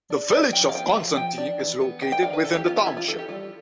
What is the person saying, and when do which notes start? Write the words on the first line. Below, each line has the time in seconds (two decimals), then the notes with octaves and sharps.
The village of Constantine is located within the township.
0.10 D4
0.32 D4 D5
0.53 F3 G5
0.69 F5
0.75 B3 G5
0.95 F3
1.17 F3 G5
1.38 D4
1.60 E3
1.81 B3
2.01 E3 G5
2.12 G5
2.23 D4 F5
2.33 B4
2.44 E3 A4
2.55 G4
2.66 B3 F4
2.76 G4
2.86 E3 E4
2.97 F4
3.08 E3 A4
3.18 G4
3.29 G3 F4